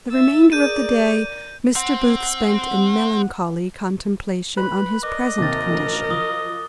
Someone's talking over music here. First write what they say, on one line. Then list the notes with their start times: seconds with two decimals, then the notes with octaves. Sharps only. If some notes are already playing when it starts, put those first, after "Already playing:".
The remainder of the day Mr. Booth spent in melancholy contemplation on his present condition.
0.10 E5 E6 A6
0.52 G#4 A#4 D5 G6 D#7
1.76 C4 F#5
4.57 B4 B5 C6 F#6
5.03 A#4 D5 D#5 D6
5.38 D#2 C3 F#3 C4 A#4 D6 A6
5.71 A1 D3 F3
6.10 F3 D#6 G7